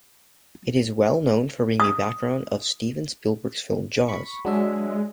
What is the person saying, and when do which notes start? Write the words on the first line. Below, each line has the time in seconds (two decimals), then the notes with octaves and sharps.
It is well known for being the background of Steven Spielberg's film "Jaws".
1.80 D#6
4.08 B5 C#6
4.45 F#3 G#3 D4 E5